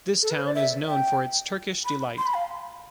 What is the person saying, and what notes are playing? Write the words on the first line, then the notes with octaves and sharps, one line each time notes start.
This town is known for its Turkish delight.
A4
B4
C5
D5
E5
G5
B5
C6
B5
F5